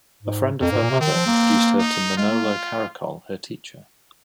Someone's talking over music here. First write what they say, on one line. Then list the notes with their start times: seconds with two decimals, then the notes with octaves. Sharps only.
A friend of her mother introduced her to Manolo Caracol her teacher.
0.23 G#2
0.61 F2 A#3
0.71 G#2
0.82 A#2
0.91 C3
1.00 D#3 C4
1.13 F3
1.26 A#3
1.79 D#4
2.17 G#3 F4
2.30 A#3
2.43 G#3